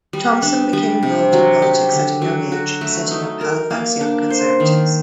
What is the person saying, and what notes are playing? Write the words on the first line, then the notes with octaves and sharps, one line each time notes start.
Thompson became involved in politics at a young age, setting up Halifax Young Conservatives.
G3
D4
G3
C3
F#3
G4
D3
F#3
F#4
A3
D#4
A#4
A#3
D4
C5
D#3